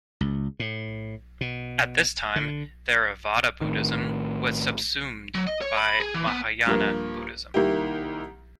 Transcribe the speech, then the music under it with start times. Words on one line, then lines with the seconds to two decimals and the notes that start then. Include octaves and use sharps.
At this time, Theravada Buddhism was subsumed by Mahayana Buddhism.
0.21 C#2
0.59 A2
1.41 B2
2.36 D3
3.61 A2 D#3
5.35 F#3
5.47 D#5
5.61 C#5
5.77 B5
6.00 G#4
6.14 E3
6.27 B3
6.67 G2 F3 A#3
7.54 C2 D#3 A#3 E4 G4